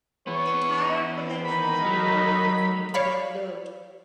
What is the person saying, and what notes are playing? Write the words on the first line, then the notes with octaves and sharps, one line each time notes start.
The entire collection is available for free to download.
E3 B3 C#5
D#3 D#4 B5
F#3 B5
C#5 D5 F5 B5